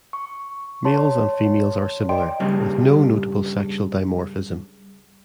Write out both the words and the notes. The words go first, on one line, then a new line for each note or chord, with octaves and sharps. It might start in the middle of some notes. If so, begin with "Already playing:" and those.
Males and females are similar, with no notable sexual dimorphism.
C#6
C#5 A5 C6
D5 D#5 G5 C6 D7
G2 C#3 G3